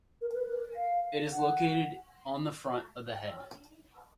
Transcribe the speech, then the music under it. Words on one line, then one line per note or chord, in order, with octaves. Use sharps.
It is located on the front of the head.
A#4
B4
A#4
F5
F#5